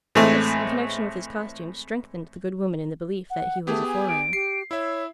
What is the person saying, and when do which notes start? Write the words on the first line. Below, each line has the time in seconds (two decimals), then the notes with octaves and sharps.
This, in connection with his costume, strengthened the good woman in the belief that he was a foreigner.
0.15 A2 E3 G#3 A3 C4
3.30 F#5
3.67 A3 B3 G4 G#4 D#6
3.87 G#5
4.09 D7
4.33 G4 C7
4.71 E4 C#5 E5 E6